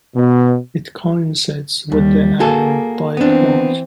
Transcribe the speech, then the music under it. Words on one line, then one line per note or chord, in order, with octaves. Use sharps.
It coincides with the annual Dyke March.
B2
D#2 G3
A#3 F#4 G#4 A4
E3 B3 C4 D4